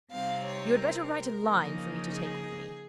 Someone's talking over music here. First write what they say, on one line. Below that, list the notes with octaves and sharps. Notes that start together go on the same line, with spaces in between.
You had better write a line for me to take with me.
C3 G3 C4 D#4 F5
C#5
A#4
C#3 F3 A#3 D#4
G#4